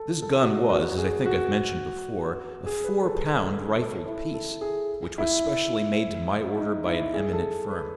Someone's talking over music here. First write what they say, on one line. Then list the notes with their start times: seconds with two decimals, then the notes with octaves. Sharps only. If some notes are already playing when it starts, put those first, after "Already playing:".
This gun was, as I think I have mentioned before, a four-pound rifled piece, which was specially made to my order by an eminent firm.
Already playing: A4
0.22 A4
0.42 F#4
0.70 F#4
0.97 G#4
1.26 F#4
2.66 G#4
2.84 B4
3.03 A4
3.49 B4
3.78 A4
4.06 E4
4.34 A4
4.61 G#4
5.18 E4
6.58 D#4
6.86 E4
7.14 G#4
7.33 A4
7.70 B4